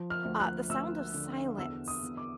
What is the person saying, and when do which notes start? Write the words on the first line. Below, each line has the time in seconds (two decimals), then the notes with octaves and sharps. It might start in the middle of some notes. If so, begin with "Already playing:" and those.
uh, The Sound of Silence.
Already playing: F3
0.10 F6
0.25 D2
0.40 F#6
0.69 D2 E6
1.14 D3
1.58 E2 E6
1.88 D#6
2.03 E2
2.17 D6